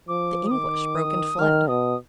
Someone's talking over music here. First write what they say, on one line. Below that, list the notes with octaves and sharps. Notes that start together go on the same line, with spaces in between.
The English broke and fled.
F3 D6
D#6
D#3 D6
D#6
D#3 F6
B2 D#6